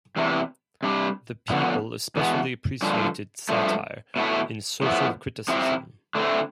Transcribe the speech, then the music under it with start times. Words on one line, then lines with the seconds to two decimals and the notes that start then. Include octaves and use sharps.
The people especially appreciated satire and social criticism.
0.16 E2 C3 E3
0.83 C3 G3 D4
1.50 D3 F3 B3
2.16 E2 B2 B3
2.82 G2 D3 F3
3.49 G2 F3 A3
4.16 B2 A3 E4
4.82 A2 F3 B3 E4
5.48 C3 F3 C4 E4
6.15 D3 A3 C4 E4